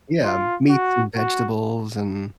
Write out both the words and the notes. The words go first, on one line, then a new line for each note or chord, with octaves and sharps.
Yeah, meats and vegetables, and
F4
F#4
F#4